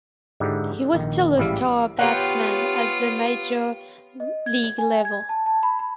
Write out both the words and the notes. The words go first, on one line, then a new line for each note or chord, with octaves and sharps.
He was still a star batsman at the major league level.
G#2 D3 D#4 E4 G4
A#1 D#3
A1 G#2 G3 E4 F5
B3 F4 G4 C#5 F#5
D#5
G#6
G#5
G#6
A5
A5
B5
B5